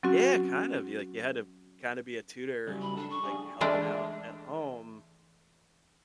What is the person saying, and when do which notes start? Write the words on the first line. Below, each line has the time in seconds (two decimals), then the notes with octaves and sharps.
Yeah, kind of you, like you had to kinda be a tutor, like, helping out at home
0.03 F#3 C4 C#4 F#4
2.67 C#3 F#3 G3
2.82 B5
2.97 D4 A4
3.10 C#6
3.23 D4 G4 G#4
3.61 E3 G#3 A3 D4